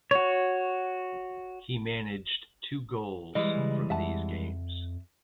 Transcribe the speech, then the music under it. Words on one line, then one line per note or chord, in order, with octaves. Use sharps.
He managed two goals from these games.
F#4 C#5
E3 G3 G#3 D#5
C#3
F2 E5 F#5 A5